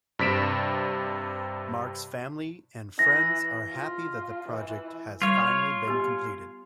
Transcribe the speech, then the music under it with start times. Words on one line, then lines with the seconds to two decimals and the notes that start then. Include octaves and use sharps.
Mark's family and friends are happy that the project has finally been completed.
0.19 G2 C3 B6 D7 E7
2.99 E3 A#6
3.72 F4
4.48 E3
5.22 G3 F4 C#5
5.88 B3 G4